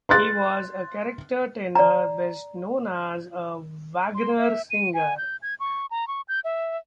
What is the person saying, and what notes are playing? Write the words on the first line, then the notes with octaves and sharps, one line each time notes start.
He was a character tenor best known as a Wagner singer.
C6 F#6 A6
D5 A#5
C6
E5
D#7
G#5
G6
G#6
C#6
A#5
C#6
G6
E5